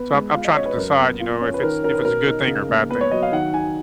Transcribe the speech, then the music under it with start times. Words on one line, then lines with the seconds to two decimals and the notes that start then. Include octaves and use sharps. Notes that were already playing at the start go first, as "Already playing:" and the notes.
So, I'm I'm trying to decide, you know, if it's if it's a good thing, or a bad thing.
Already playing: B3 B4
0.13 G#3
0.33 F4 F5
0.45 D#5
0.55 C#4 C#5
0.66 B4
0.77 F#2 A#4
0.98 B3
1.20 F4
1.41 C#4
1.54 B4
1.62 D#3 A#4
1.83 C#4 A#4
1.95 B4
2.05 B2 A#4
2.26 D#4
2.47 C#3
2.69 A#3
2.89 B3 B4
3.01 C#5
3.11 F#3 D#5
3.23 F5
3.32 D#3 F#5
3.53 D#4 G#5